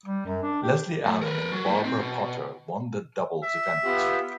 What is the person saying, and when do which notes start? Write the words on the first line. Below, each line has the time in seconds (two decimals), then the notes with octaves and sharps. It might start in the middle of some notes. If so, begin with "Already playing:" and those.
Leslie Allen and Barbara Potter won the doubles event.
0.06 G3
0.26 F#2
0.42 D4
0.63 G4
1.06 A2
1.22 A#4 B4
1.52 F#3
1.66 A#3 E4
1.85 C4
1.99 B2
3.43 E5
3.83 B3 F4 G4